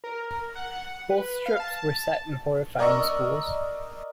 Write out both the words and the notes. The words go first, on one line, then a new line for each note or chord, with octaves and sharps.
Both strips were set in horrifying schools.
A#4
F#5
B4
F5
A5
A#4 D5 D#5 C#6 E6